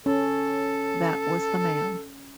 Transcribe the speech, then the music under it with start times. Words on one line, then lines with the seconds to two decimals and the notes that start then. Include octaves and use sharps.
That was the man.
0.06 C#4 A4